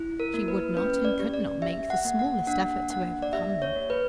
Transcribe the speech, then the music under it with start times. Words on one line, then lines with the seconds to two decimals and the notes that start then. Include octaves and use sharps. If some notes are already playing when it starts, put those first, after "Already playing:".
She would not and could not make the smallest effort to overcome them.
Already playing: E4
0.20 A#4
0.34 A#3
0.48 B4
0.77 C#4 B4
1.05 D5
1.19 G4
1.34 D5
1.62 G4 E5
1.90 F#5
2.05 A#3
2.19 F#5
2.47 D4 F#5
2.90 A#3 F#5
3.22 D5
3.33 G4 E5
3.62 C#5
3.76 A#3
3.90 B4